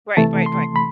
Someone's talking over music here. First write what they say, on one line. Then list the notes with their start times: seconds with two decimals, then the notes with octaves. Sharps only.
Right, right, right.
0.17 C3 E3 A3 A5
0.46 C6
0.76 B5